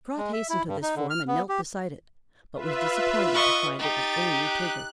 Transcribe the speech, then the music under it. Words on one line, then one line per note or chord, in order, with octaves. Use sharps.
Trot hastened to this form and knelt beside it, but was disappointed to find it was only Tiggle.
G#3
E5
E4
G2
D#4
D3
F6
B3
G4
F4 B4 E5
D#5 C#6
D#4 G4 A6
F#6